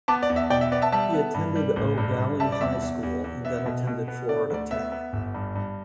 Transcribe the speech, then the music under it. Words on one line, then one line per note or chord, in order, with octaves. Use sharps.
He attended Eau Gallie High School and then attended Florida Tech.
B3 A5 D6
D5
E2
E5
B2 D5 G5
E5
B3 D5
E5 A5
G3 E5 A5
B3
G2
G3
A1
G2
G2
G3 E5 A5
D5
E2 E5
E2
E2
E2
B3 E5
B2
B2
B3
D3 D5
D2 D5
B3 E5
B3
G1
G2
G2